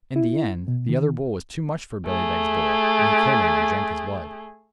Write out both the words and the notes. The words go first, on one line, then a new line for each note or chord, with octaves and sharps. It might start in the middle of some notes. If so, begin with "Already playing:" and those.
In the end, the other bull was too much for Billy Beg's bull, and he killed him and drank his blood.
E4
B2
D#3
A3 G#4